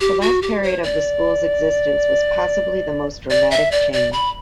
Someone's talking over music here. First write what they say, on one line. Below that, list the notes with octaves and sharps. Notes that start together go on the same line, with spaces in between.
The last period of the school's existence was possibly the most dramatic change.
G4
F#4
G4
C#5
D5
D5
E5
D5
D5
B5